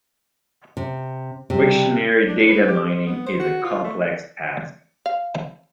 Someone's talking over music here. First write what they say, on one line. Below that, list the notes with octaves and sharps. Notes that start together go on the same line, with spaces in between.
Wiktionary data mining is a complex task.
C3
C3 G3
D4
B4
G4
C5
B3
C5
F#4
F4
A3
F5